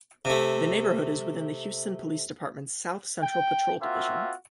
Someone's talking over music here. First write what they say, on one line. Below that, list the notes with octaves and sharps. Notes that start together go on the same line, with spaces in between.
The neighborhood is within the Houston Police Department's South Central Patrol Division.
C3 A3
G5
A#3 C4 F4 F#4 E5